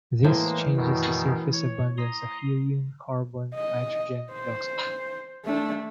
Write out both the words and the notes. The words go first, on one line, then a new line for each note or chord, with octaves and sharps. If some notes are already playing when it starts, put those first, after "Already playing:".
This changes the surface abundance of helium, carbon, nitrogen, and oxygen.
A2 E3 G#3 A#3 C5
F#2 B2 D#3
C#5
A#5 C6 D#6
D#5
C5
A3 D4